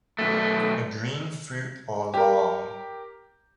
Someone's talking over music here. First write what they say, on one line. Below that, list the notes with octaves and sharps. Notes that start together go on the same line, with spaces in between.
The green fruit are long.
B1 A3
G4 A#4